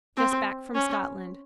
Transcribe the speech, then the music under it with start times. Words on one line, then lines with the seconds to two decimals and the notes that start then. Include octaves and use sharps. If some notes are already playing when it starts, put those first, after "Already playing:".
Just back from Scotland.
0.16 C4
0.75 C#4